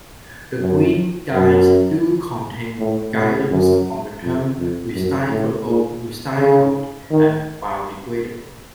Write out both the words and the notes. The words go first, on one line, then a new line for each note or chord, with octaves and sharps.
The Green Guides do contain guidance on the term recyclable, recycled and biodegradable.
F#2
F#2
A2
A2
F#2
F2
F2
F#2
A2
A#2
C#3
D#3